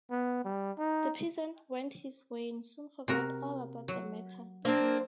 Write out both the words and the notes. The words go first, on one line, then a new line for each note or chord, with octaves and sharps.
The peasant went his way and soon forgot all about the matter.
B3
G3
D#4
C3 F#4 A#4
F#3
A#3 C4 D4 C5